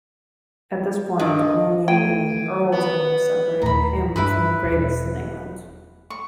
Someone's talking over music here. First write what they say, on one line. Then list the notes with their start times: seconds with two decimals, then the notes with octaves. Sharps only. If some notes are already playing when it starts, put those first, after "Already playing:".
At this point only an earldom separated him from the greatest in England.
1.19 G2 D#5
1.88 A3 G5 G#6 D7 D#7
2.72 B3
3.62 D#1 A2 A#5 B5
4.16 G2 E4 B4 B5
4.64 E1
6.10 C#6